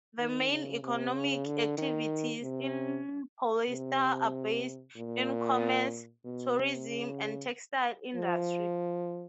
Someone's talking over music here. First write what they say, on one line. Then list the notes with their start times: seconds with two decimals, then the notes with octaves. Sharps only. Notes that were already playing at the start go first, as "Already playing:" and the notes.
The main economic activities in Paulista are based in commerce, tourism and textile industry.
0.19 D#3
0.50 C#3
0.83 C3
1.14 C#3
1.46 D3
1.78 D#3
2.42 C3
3.69 C3
4.97 A#2
6.24 B2
6.56 C3
6.88 C#3
8.16 F3